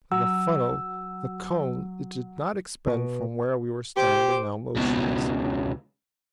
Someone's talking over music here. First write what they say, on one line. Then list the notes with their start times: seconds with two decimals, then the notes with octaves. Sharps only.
The funnel, the cone, did not expand from where we were standing, now motionless.
0.12 F#3 E6
2.87 B2
3.96 G4 C5 D6
4.77 C#2 B2